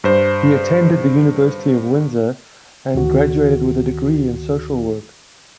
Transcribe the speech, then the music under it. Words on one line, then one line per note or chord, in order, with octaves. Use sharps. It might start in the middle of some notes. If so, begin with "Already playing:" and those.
He attended the University of Windsor and graduated with a degree in social work.
G2 C5
D2 D#3 F#4